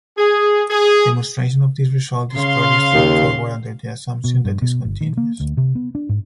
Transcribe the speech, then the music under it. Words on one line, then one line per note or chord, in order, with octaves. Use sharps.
Demonstration of this result is fairly straightforward under the assumption that is continuous.
G#4
G#4
C#3 F5 C6
D#2
B2
G2
B2
G1
D#3
A#3
D2
C3
B3
D4
G#2